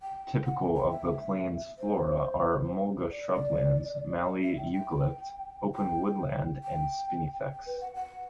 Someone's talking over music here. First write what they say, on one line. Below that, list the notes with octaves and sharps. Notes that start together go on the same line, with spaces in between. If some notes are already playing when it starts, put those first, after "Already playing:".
Typical of the plains flora are mulga shrub-lands, mallee eucalypt, open woodland and spinifex.
G5
F#5
G5
G5
E5
C5
D5
D5
E5
G5
G5
G5
G5
G5
B4
F#5
F#5